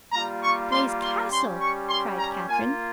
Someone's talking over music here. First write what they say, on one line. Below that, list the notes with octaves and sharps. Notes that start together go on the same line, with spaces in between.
"Blaize Castle!" cried Catherine.
G3 A#3 F4 A#5
C#6
C6
C6
G3 C#4 G4 C6
C#6
C6
A#5
A#3 F4 G#5